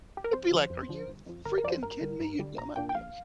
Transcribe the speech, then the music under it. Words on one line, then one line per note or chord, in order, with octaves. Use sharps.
they'd be like, "Are you f f freaking kidding me, you dumba" You know.
G4
A#4
F2 C5
D3 F3
F2
D3 F3
G1
F2 F3
G1 A#4
A#4
F2 F3 C5 D5
G2 A#4
D3 G3
G2
D3 G3
A#1 A#5
A#2 A#3 D4 G5
G5
A#1 F5